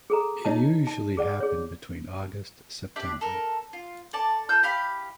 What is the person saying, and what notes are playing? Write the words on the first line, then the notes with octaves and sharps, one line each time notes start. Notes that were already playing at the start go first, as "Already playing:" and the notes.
It usually happen between August–September.
G#4 A4 A#5
D#4 E4 C#5 D#5 A5
A5
G#4 D5 F#5
G#4 C#5
D4 G4 D5 E5
A4 A#4
F4
A4 D5 A5
F4 A4 E6 G6
E4 G4 F5 B5